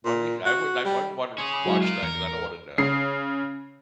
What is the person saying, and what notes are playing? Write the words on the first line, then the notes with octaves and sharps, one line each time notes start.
Why do they th I wouldn't I I wouldn't wanna watch that 'cause I don't wanna know.
A#2
F#4
G3
C#4 G#4 C6
B5 D6 D#6
F#3 G#3 E4
F4 A#4
E2 A#4 C#7
C#3 C7